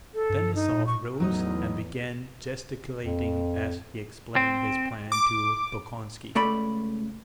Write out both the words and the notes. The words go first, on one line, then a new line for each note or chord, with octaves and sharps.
Denisov rose and began gesticulating as he explained his plan to Bolkonski.
A4
G2
D#4
A#2
C#6
E2 A2 F#3 D#4 D#5
F2
C4
D6
C#2 A3 D5 B5